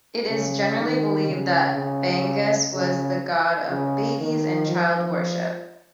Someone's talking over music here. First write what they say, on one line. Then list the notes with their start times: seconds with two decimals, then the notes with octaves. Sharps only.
It is generally believed that Fagus was the god of babies and child worship.
0.30 C#3
0.79 D#3
1.27 C#3
1.76 C#3
2.74 C#3
3.70 C#3
4.20 D#3
4.68 F3